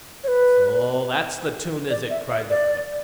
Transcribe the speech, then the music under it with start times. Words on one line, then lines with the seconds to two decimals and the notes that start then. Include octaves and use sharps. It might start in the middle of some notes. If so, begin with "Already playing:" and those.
"So that's the toon, is it?" cried the cook.
0.24 C#5
0.28 B4
1.90 D5
2.10 E5
2.30 E5
2.50 D5